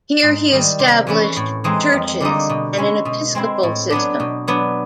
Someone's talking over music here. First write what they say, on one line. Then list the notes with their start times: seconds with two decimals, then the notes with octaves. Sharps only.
Here he established churches and an episcopal system.
0.23 G#2
0.52 D#3 G3
0.79 C3
1.07 E3 A3 C#4 E4
1.37 A2
1.64 E3 G#3 C4 D#4
1.92 F2
2.20 D3 G3 A#3 D#4
2.49 B2
2.78 G#3 C#4 E4
3.05 B2
3.35 G#3 C4 E4
3.63 A2
3.90 F#3 B3 D4
4.20 B2
4.48 F#3 B3 D4